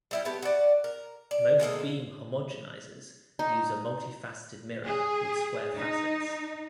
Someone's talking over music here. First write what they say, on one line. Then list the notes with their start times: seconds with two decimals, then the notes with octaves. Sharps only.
Most beam homogenizers use a multifaceted mirror with square facets.
0.11 G3 E4 G5
0.25 A3 B3 G4
0.42 F#4 D5
0.84 A#4
1.31 D5
1.60 B2 G#3 A#3 A4
3.39 D#4
4.86 G#4
5.77 D#4